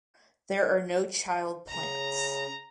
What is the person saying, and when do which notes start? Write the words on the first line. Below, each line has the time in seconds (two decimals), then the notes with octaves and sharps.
There are no child plants.
1.69 C#3 A#5